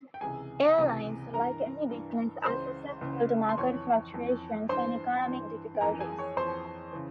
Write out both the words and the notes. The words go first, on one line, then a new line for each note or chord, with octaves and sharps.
Airlines, like any business, are susceptible to market fluctuations and economic difficulties.
G5
C#2 C3 E3 G#4 G#5
C#2 C3 E3
G2 E3 A#4 A#5
G2 E3
C#2 C#3 E3 C5 C6
C#2 C#3 E3
C6
F2 E3 C#5 C#6
F2 E3
G2 E3 C5 C6
G2 E3
F2 E3 A#4 A#5
G#4 G#5
C#5 C#6
F2 E3 C5 C6
C#3 E3